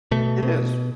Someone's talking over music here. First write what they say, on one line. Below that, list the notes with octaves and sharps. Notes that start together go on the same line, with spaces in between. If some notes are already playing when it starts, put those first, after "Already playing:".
It is.
B2 A3
B2